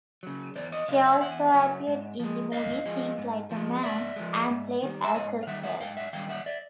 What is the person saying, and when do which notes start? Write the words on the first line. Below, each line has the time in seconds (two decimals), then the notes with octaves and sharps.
She also appeared in the movie "Think Like A Man", and played as herself.
0.23 C#3 F#3
0.56 E2 C5 D5
0.72 C#5 D#5
0.88 C#3 F#3 D#5 F5
1.05 E5 F#5
1.21 E2 E5 F#5
1.54 C#3 F#3
1.87 G#2
2.20 F3 G#3
2.52 G#2 D#5 F5
2.86 F3 G#3
3.18 G#2
3.51 F3 G#3
3.83 G#2 D5 E5
4.16 F3 G#3
4.49 G#2
4.82 D#3 G3
5.04 E5
5.14 G#2 C#5 D#5
5.43 F5
5.47 D#3 G3 E5 F#5
5.63 E5 F#5
5.80 G#2 F5 G5
5.97 E5 F#5
6.13 D#3 G3 F5 G5
6.29 E5 F#5
6.46 D5 E5